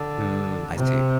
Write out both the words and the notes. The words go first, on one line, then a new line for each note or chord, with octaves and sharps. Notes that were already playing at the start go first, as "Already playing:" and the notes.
Mm, I see.
Already playing: D3
C3